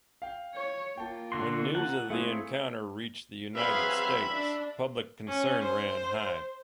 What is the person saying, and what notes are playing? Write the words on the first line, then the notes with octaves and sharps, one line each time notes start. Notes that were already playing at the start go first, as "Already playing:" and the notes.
When news of the encounter reached the United States, public concern ran high.
F5 G5
C#5
A#3 F4 G5 A5
D3 F#4 C6
F#5 A5 A#5
A3 C4 E4 G#4 F5
F#3 C4 G#4 B4 E5 F5 B5
D4
C#4
C5